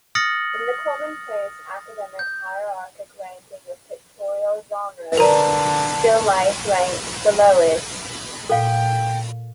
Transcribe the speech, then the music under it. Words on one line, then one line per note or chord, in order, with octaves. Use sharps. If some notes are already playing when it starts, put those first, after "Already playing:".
In the commonplace Academic hierarchic ranking of pictorial genres, still life ranked the lowest.
D#6 F6 A6 A#6 C#7 F#7
G6
D3 A#4 B4 D5 A5 A#5
A#2 A4 F5 G5